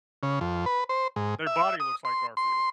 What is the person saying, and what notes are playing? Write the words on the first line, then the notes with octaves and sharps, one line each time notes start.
their body looks like Garfield.
C#3
F2
B4
C5
G#2
E5
D#6
C6
C6